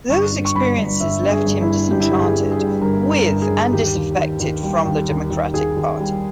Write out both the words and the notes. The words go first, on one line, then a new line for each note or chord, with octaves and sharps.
Those experiences left him disenchanted with and disaffected from the Democratic Party.
G1 C#6
G2
C#6
G1 B5
G1
G1 E5
G2
G#4
G1
E4
G2
G1 G4
E4
G4
G1
G#4
G2
G#4
G3
G1 A#4
G2
A#4
G1
G#4
G1
D#2 G4
D#2
D#2
D#2
G3
D#2
D#2
D#2
D#2 G#4
D#2
G3